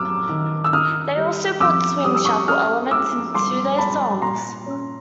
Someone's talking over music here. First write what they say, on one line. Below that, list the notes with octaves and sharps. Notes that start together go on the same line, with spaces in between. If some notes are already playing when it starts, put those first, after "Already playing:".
They also put swing shuffle elements into their songs.
Already playing: F#2 G3 D6 E6 F6
D#3
E6
D#3 D#6 F6
G3
F2 D6 E6
G3 D#6
E6
C#6 D#6
C#4 D#6 F6
G#3 D6 E6
G2 C6 D6
G#3 A5 B5
A#2 A#5 C6
C#4